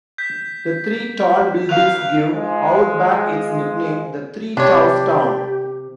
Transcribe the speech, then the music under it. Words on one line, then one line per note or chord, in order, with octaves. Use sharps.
The three tall buildings give Auerbach its nickname "the Three Towers Town".
G6 B6
F5 F#6 F7
F3 G#3
C3 D4 G4 C#5